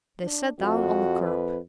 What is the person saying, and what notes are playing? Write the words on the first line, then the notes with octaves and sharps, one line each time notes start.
They sat down on the curb.
D4
F2 F#4
B4